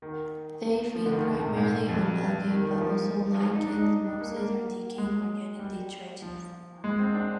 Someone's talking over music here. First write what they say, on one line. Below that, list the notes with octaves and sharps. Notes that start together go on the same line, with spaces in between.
They feed primarily on algae, but also lichens, mosses, or decaying organic detritus.
D#3
F3
D3
D#3
D#3
C3
A#2
G#2
F2
D#3
D#3
F3
D#4
D4
D#4
D4
A#3
A#3
G#3
G3
F3
G#3
C4
D4